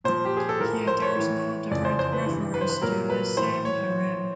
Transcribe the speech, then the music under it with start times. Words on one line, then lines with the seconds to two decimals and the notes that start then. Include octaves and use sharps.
Here there is no direct reference to samharam.
0.04 A#2 F3 C5
0.25 G4
0.37 G#4
0.49 A4
0.60 A2 F3 A#4
0.87 C5
1.02 C#5
1.16 A2 E3
1.71 F2 C#3 E3 D5
1.85 C5
1.99 C5
2.13 B4
2.26 G2 E3
2.54 B4
2.61 C5
2.70 B4
2.81 A#2 F#3 A#4
3.10 B4
3.37 A2 E3 C5
3.65 C#5